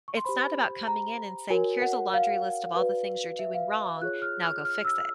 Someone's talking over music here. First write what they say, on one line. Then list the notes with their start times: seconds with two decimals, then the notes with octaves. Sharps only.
It's not about coming in and saying, "Here's a laundry list of all the things you're doing wrong. Now go fix it."
0.08 C#6
0.17 C6
0.25 G4 C5 B5
0.87 A#5
1.50 F#4 A#4 C#5 G#5
1.82 F#5
2.14 F5
2.75 F#4 B4 D5
3.39 E5
3.54 F5
3.86 C#6
4.01 F4 G#4 C#5 F#6
4.22 F6
4.44 F6
4.65 F6
4.85 E6